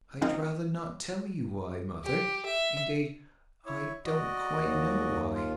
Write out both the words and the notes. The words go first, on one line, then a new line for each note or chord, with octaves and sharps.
"I'd rather not tell you why, mother; indeed, I don't quite know why."
G#2 C#3 F3 A#3 C4 D#4
G4
E5
E4 C#5
F#4 D5 D#5
D#2
F4